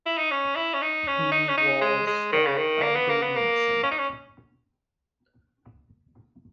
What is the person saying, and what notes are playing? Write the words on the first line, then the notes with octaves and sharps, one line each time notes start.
He was of Albanian descent.
E4
D#4
C#4
E4
C#4
D#4
C#4
D#4
C#4
D#4
G#3
G#3
D#3
C#3
D#3
A#3
B3
A#3
B3
A#3
C#4
D#4
C#4